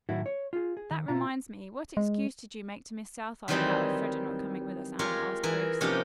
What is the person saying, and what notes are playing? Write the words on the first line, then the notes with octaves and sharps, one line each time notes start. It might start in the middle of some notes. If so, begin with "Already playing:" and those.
"That reminds me, what excuse did you make to Miss Southard about Elfreda not coming with us, Anne?" asked Grace.
A2 D#3 F#3 E4 F#4
C#5
F4 G#4
G#4
D#3
B2 E4 F4 A#5
G#3
D#3 E3 F#3 G3 C4 D#4
G#3 F4 G4 A#4 C#5
E3 G#4 A#4
C3 F3 A#3 C#4 D#4 G4